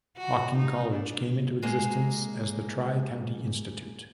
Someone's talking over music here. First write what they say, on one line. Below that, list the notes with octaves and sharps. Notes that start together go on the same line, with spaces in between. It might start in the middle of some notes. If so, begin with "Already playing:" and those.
Hocking College came into existence as the Tri-County Institute.
F#4
D#4
D4
G#3 A#3